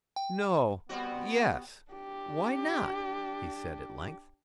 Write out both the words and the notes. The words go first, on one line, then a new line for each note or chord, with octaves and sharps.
"No--yes--why not?" he said, at length.
G5
G3 B3 C4 F#4
D4 G4